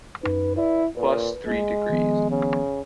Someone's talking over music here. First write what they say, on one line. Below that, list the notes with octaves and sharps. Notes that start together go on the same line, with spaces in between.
Plus three degrees.
F#2 D#4 B4
E4 B4 D5
A#2 B4
A#1 G#3
D#3 F3 B3
C#3